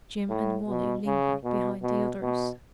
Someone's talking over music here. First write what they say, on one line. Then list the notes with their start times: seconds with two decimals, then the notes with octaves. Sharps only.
Jim and Wally lingered behind the others.
0.30 A2
0.67 B2
1.06 C#3
1.44 B2
1.83 B2
2.22 B2